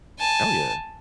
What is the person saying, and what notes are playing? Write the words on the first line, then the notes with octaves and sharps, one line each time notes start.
Oh, yeah.
G#5 A5